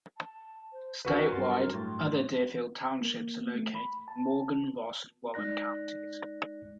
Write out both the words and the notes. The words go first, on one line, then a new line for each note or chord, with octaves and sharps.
Statewide, other Deerfield Townships are located in Morgan, Ross, and Warren counties.
A5
C5
C#2 C#4 F#4 A#4 B4
G2 F#3 C6 A6
A2 C6
A#3
A3
B5
A5
G#3 D#4 D5 F#6 A#6